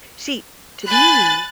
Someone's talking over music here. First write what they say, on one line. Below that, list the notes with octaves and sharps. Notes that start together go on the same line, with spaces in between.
See, to me,
G#5 B5 F#6 A6